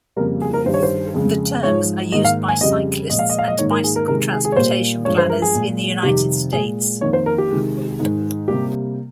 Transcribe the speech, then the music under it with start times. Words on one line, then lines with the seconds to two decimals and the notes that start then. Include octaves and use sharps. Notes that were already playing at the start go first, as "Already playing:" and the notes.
The terms are used by cyclists and bicycle transportation planners in the United States.
0.16 F2 C#3 G3 A#3 A#4
0.42 G#4
0.54 A#4
0.65 G2 D#3 G3 C5
0.74 C#5
0.83 C5
1.14 F2 C#3 G#3
1.63 G#2 F3 G#3 C#5
2.12 G#2 D#3 A#3 D#5
2.25 F5
2.48 G#5
2.61 F2 C#3 G3 D#5
3.10 A#2 F3 G#3 D#5
3.19 F5
3.30 D#5
3.39 F5
3.48 D#5
3.58 G#2 D#3 A#3 C#5
3.71 A#4
3.84 G#4
3.96 A#4
4.08 C3 D#3 G#3 A#4
4.33 G#4
4.45 G#4
4.52 C#5
4.56 A#2 G3 A#3 C5
5.05 G2 F3 G#3 C#5
5.18 C5
5.30 A#4
5.42 G#4
5.55 A#2 G#3
6.03 F2 C3 D#3 G3 G4
6.53 A#2 G#3 G#4
7.01 F2 D#3 A#3 C#5
7.13 C5
7.26 A#4
7.38 G4
7.50 C3 D#3 G#3
7.99 G#2 D#3 G#3
8.48 C3 G3 A#3 G4